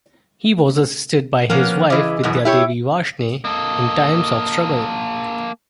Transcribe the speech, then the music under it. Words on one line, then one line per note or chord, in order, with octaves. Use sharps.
He was assisted by his wife Vidya Devi Varshney in times of struggle.
F3 A#3 B3 C#4
C#3 E3 G#4 D#5 D6
F#2 B2 E3
E4 G4 C#5 E5
A#3 A4 D#5